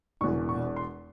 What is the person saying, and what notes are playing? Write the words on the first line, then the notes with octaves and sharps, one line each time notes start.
"Oh no."
E1 E2 E3 C#6
C#6
C6